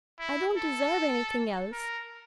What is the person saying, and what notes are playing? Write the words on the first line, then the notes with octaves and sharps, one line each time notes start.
'I don't deserve anything else.
E4
A4
A#4